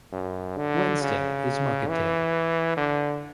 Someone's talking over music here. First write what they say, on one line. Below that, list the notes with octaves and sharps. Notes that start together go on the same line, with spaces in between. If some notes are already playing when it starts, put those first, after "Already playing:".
Wednesday is market day.
F#2
D3
C#3
E3
D3